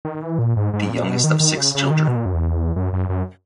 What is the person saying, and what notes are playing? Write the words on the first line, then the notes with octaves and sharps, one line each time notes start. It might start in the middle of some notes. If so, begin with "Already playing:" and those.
The youngest of six children.
D#3
E3
A#2
G#2
G#2
A#2
B2
D#3
D#3
C#3
C#3
D#3
B2
A#2
F#2
E2
F#2
F#2
F#2